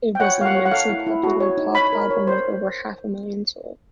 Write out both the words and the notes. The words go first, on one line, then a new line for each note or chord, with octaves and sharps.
It was an immensely popular pop album with over half a million sold.
G5
C#5 F#5
F4 F5
F#5
C#5
F#5
A4 F5
E4
E4
F#4
C#5
D#4
C#5 B5
A#4
C#5
C5